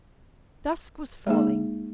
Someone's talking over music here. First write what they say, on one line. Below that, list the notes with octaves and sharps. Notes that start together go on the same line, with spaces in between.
Dusk was falling.
G#3 A#3 D#4 G#4